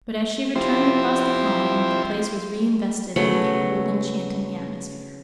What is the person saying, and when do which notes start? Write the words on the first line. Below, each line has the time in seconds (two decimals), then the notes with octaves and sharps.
But as she returned across the common, the place was reinvested with the old enchanting atmosphere.
0.55 F3 C4 E4 G4 C5
3.16 C#3 F#3 A3 B3